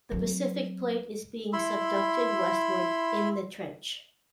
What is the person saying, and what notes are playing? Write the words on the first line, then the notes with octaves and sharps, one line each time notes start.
The Pacific Plate is being subducted westward in the trench.
F#3 C4
E4 B5 C6 E6